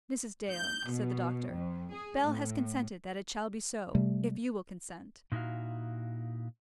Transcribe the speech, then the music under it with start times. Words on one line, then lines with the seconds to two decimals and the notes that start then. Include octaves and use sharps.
"Mrs. Dale," said the doctor, "Bell has consented that it shall be so, if you will consent."
0.51 G6
0.90 B2
1.51 F2
1.92 G#4
2.22 A2
3.95 C3 G3 A3
5.32 A#2 D#4 E4 F#4 F5